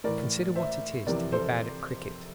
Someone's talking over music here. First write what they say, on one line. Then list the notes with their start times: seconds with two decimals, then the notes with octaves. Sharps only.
Consider what it is to be bad at cricket.
0.04 A2 E3 A#4 D5
0.55 C5 E5
1.07 F2 C3 E3 A#4 D5
1.32 A4 C5